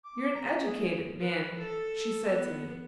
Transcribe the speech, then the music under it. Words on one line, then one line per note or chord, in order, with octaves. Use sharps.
'You're an educated man,' she said to me.
D6
A#5
G#4
B4
A4
B3